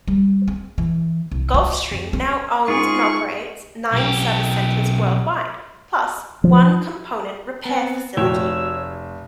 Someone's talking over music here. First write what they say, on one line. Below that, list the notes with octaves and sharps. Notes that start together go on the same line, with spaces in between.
Gulfstream now owns and operates nine service centers worldwide, plus one component repair facility.
G3
C4
E3
C2
F4
F2
C4
G#2 F4 G#4 C#6
B1 G4
F3
B3 C4
F1 F#4 C#5 G5 E6